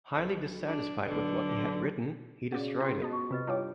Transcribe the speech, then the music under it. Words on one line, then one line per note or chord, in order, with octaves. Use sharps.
Highly dissatisfied with what he had written, he destroyed it.
B1 B5
D4
B1 B2 D3
C#3 F#4 D5 F#5
F4 G#4 G5 C6
B2 D#5 A5
C#6
C3 F4 B4 D#5
G2 D4 E4 F4 C#5 G5 D6